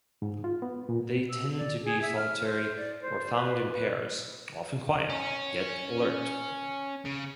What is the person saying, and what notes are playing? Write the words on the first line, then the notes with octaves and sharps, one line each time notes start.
They tend to be solitary or found in pairs, often quiet, yet alert.
G#2
F4
B3
A#2
E6
D5
G#4
E5
F6
C5
D5
C5
B4
B4
C#4
C#3